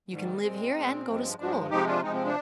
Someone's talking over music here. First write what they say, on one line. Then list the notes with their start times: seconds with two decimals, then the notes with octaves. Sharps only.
You can live here, and go to school.
0.09 G#2 D#3 G3
0.41 A#2 G#3 C4
0.73 A#2 G#3
1.06 G2 F3 G#3
1.38 G2 F3 G#3 D4
1.70 C3 F3 G#3 D#4 G4
1.86 D4 F4
2.02 C3 F3 G#3 C4 D#4
2.13 C4
2.25 D4